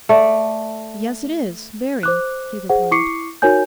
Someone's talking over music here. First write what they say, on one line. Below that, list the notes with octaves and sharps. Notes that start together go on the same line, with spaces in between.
'Yes, it is, very,' he replied.
A3 D5
C5 D6 F#6
G#4 C5 F#5
E4 C#6 D6 C7 C#7
D#4 F#4 A#4 C#5 G#5 G6